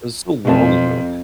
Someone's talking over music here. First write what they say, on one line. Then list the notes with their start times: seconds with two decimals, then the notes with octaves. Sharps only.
It's so long ago.
0.45 F2 B2 C4 A5